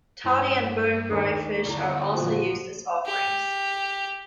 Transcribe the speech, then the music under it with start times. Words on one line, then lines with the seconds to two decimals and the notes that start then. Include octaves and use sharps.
Toddy and burnt dry fish are also used as offerings.
0.25 G2 E4 G4 C5
1.10 D#2 D4 A4 A#4 D#5
1.65 D3 G3 E4 G4 D5
2.15 A#2 F3 F#4 C5
3.06 G4